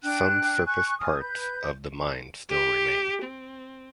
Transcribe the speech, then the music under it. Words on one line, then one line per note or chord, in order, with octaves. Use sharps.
Some surface parts of the mine still remain.
D4 G5 F#6
G#5 C#6 F#6
G#5 D#6 F6
B4 G6
G4
C4